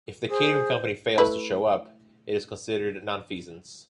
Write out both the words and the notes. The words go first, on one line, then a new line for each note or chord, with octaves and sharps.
If the catering company fails to show up, it is considered nonfeasance.
G#4 C5
A3 E4 B4